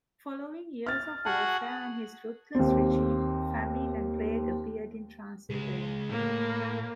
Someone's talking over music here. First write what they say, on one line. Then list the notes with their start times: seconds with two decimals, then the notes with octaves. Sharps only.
Following years of warfare and his ruthless regime, famine and plague appeared in Transylvania.
0.86 F6 A6
1.25 F#4 G#4 F#5 A5
2.55 D#2 C4
5.50 C#2 G#3
6.10 A2 A#3